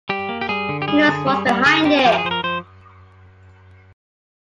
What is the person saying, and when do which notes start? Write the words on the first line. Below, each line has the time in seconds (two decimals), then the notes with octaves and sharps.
Who knows what's behind it.
0.09 G3 G4
0.29 A#3
0.41 G4
0.49 G3 G#4
0.69 D3
0.82 G4
0.88 G3 G#4
1.08 D3
1.27 G3
1.47 G3
1.66 D3 G#4
1.85 C4 G4
2.05 F3 G4
2.14 A#4
2.18 G#4
2.25 F3 C5
2.31 A#4
2.44 F3 C5